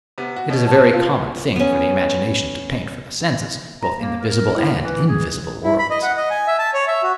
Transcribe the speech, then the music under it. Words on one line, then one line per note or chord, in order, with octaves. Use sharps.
It is a very common thing for the imagination to paint for the senses, both in the visible and invisible world.
C3 B3
F#4
B2 C#5
A5
F4 F5
B3 C#4
A#5
A#3
A#4
A2
E3
G#4
E4
B5
D#5
F#5
D#5
G#5
E5
A5
C#5
E5
F#4